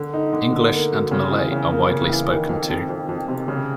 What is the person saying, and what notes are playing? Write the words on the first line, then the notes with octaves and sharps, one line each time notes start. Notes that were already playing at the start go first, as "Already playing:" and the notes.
English and Malay are widely spoken too.
Already playing: D3
D#4
D3
D3
A#3
F#3
C#3
E3
C#3
A#3
C#3
E3
D#3
F2
F2
F2
F2
C3
C#3